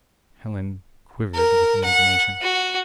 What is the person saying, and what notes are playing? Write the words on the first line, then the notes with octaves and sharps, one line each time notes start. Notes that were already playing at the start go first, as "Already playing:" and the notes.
Helen quivered with indignation.
A#4
F#5
F#4